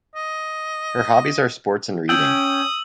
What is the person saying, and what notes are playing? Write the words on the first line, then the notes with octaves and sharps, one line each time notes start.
Her hobbies are Sports and reading.
D#5
C#4 G5 D#6 E6 F#7